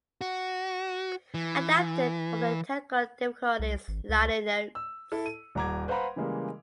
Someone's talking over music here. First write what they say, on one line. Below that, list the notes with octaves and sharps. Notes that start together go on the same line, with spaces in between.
Adapted from the "Technical Difficulties" liner notes.
F#4
E3
C2
G#1
C#2
E6
E4 A4
D#7
D#1 F#5 A#5 D6 G#6
B4 C5 F5 F#5 A#5 B5
C#3 E3 G3 G#3 A#3